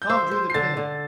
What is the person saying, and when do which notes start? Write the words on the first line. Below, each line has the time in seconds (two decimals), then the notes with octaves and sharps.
Tom drew the pin.
0.02 G6
0.09 C5 E6
0.31 C5
0.50 C7
0.54 D3 A6
0.77 D3